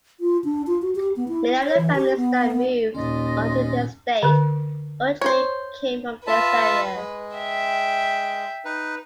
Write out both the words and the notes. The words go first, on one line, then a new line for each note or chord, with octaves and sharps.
Many of the families that moved onto the estate originally came from this area.
F4
D4
F4
F#4
G4
B3
E4
C#5
E3
G4
B3
B3
D#2 A#2 C#4 D5 D#5 C6
D3 B4
C5 C#5
F4 B4 E5 A5
G#3
E5 G5
D#4 B4